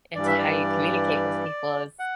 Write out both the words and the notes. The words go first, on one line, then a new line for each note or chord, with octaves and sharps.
into how you communicate with people is
G2 E3 G3 D5
E5
D5
F#5